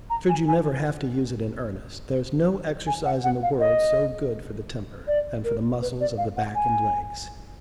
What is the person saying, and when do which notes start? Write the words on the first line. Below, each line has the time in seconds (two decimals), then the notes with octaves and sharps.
Should you never have to use it in earnest there's no exercise in the world so good for the temper, and for the muscles of the back and legs.
0.10 A#5
0.29 G#5
0.48 G#5
2.87 G#5
3.05 F#5
3.24 F#5
3.43 F5
3.60 D#5
5.07 D5
5.44 A#4
5.82 B4
6.00 D5
6.18 F5
6.37 F#5
6.55 G#5